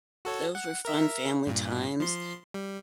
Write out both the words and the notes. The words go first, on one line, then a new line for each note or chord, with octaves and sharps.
those were fun family times,
F#4 A4 C#5
F#5
A#4 E5
G2 A#2
F3 C6
G3